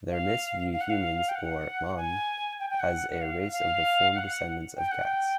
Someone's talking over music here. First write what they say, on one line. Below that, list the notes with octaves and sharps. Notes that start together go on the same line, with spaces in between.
Their myths view humans, or "M'an", as a race of deformed descendants of cats.
F5
F5
F#5
F5
G5
F#5
G#5
G5
G5
F#5
F#5
F5
F5
F#5
G5
F#5
G5